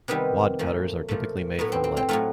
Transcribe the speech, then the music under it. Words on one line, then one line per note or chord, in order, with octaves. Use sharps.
Wadcutters are typically made from lead.
C3 D#3 G3 B3
A#2 F3 A3
A#2 F3 A3
A2 F#3 A3 B3
C4
C4
C4
A2 F#3 A3 F4